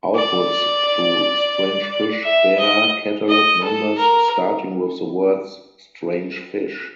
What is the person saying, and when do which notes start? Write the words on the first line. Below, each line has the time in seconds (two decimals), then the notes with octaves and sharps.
Outputs through Strange Fish bare catalog numbers starting with the words "strange fish".
0.16 D5
2.24 E5
2.59 D#5
3.29 D#5
3.64 A4
3.98 A#4